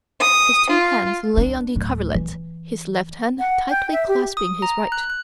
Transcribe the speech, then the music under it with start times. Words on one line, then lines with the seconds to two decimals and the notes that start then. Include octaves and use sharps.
His two hands lay on the coverlet, his left hand tightly clasping his right.
0.21 D#6
0.71 F4
1.37 D4
1.76 D1
2.15 E3
3.39 F#5
3.70 G5
3.92 E5
4.08 G4
4.37 D#6
4.62 A#5
4.92 F#6
5.10 F#6